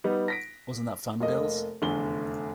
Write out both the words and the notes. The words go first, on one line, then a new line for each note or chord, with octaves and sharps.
Wasn't that fun, girls?
G3 B3 D#4
A#6 B6 D7
F1 A#3 D#5
F1 E2 D3 G7